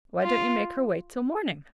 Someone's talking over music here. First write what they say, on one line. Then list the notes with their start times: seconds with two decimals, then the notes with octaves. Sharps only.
"Why don't you make her wait till morning?"
0.23 F4